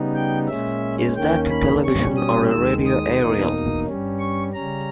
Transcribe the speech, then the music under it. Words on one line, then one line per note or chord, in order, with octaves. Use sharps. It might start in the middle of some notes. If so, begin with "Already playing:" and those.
Is that a television or a radio aerial?
Already playing: C#3 G3 B3 D#4
G5
A#2 G#3 C#4 E5
D#2 D#3 A#3 C#4 G5
B5
B2 G3 C#4 C#6
D#6
D#2 D#3 G#3 E6
D#6
E2 B2 A#3 D#4
G2 G3 C#4
C#6
C#3 G3 C#4 A#5